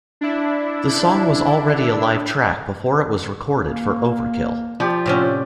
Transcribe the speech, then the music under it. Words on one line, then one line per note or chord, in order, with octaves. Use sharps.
The song was already a live track before it was recorded for "Overkill".
D4 E4
A#3
F3 G4 D5
A2 C3 C#4 F4